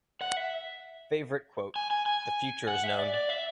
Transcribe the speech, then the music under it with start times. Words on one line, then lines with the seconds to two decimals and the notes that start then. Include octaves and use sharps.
Favorite quote: The future is known.
0.21 F#5
0.37 E5
1.76 G#5
1.91 G#5
2.06 G#5
2.68 F#5
2.84 E5
2.99 D5
3.14 D5
3.29 E5